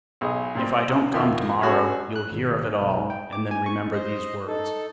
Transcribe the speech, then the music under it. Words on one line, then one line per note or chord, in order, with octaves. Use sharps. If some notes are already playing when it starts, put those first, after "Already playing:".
If I don't come to-morrow, you'll hear of it all, and then remember these words.
B1 G#4 D#5
A#2 G3 C4
C3
F2 D#3 F4 E5 C6
C#4 F#4 G#4 A4
F#6
G#1
D#2
G#2
B1
G#2
G5
D6
G#5
C#6
C5 D#5
D#4 A4